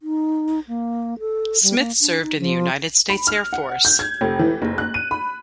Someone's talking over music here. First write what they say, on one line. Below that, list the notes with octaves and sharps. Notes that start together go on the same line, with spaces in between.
Smith served in the United States Air Force.
D#4
A#3
A4
G3
A#3
D4
D#4
F3
B5
F6
F#5
G6
G#6
F1
E3
F#1
F#6
D#7
B5